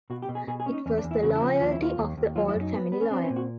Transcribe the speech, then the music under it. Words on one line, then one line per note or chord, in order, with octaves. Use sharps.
It was the loyalty of the old family lawyer.
B2 F#4
G4
B2
G#4
B2 G#4
G#4
C#4
D#4
E2 C#4
D4
E2
E4
C#3 F#4
E4
F3
D#2 F4
E4
D#2 F4
D#2
D#2
F#3 F4
E4
F#2
D#4
B3
B3
C#4
C4 D4
C#4
A#2
F#4